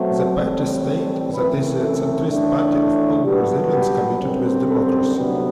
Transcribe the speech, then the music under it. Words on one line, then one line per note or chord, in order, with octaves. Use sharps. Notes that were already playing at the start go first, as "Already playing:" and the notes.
The party stayed that is a centrist party of all brazilians commited with democracy.
Already playing: B2 F#3 A3 C4 C5
A2 E3 G3 C4
F#2 E3 A3 C4 B4
A4
A2 E3 A3 D4
A4
G2 F#3 B3 G4
G4
F#2 D3 G3 C4
A4
D2 C3 F#3 B3 D4 B4